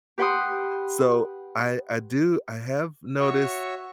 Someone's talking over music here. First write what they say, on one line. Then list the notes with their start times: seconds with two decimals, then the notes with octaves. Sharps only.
so I I do I have noticed
0.18 G4 B4 F#5 G5 C6 D#6
3.20 F#4 C#5 E5 C#6